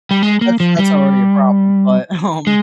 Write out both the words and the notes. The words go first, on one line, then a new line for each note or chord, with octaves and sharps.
that's that's already a problem, but, um
G3
G#3
A#3
F3
G3
G#3